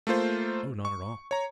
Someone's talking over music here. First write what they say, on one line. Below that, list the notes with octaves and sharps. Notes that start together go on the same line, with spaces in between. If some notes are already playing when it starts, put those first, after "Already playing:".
'O--not at all.
A3 A#3 F4 C5
C#6
C#5 A#5